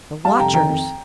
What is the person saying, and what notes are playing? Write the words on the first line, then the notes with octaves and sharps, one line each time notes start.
The watchers!
G3 F5 A5
F1 G5 A#5
D#3 G5 A#5
F2